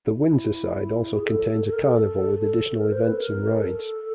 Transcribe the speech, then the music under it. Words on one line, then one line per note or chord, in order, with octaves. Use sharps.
The Windsor side also contains a carnival with additional events and rides.
E4
G#4
A4
A4
A#4
A4
A4
A4
A#4
C5
B4
A4
A#4
A4